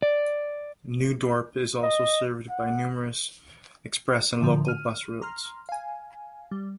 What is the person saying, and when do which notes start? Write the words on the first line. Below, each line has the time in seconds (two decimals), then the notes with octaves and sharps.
New Dorp is also served by numerous express and local bus routes.
0.02 D5
1.83 D#5
2.50 F#5
4.41 A2 D3 F3
4.65 F6 D#7
5.22 A#5 C6 F6
5.69 F5 G#5
6.51 G3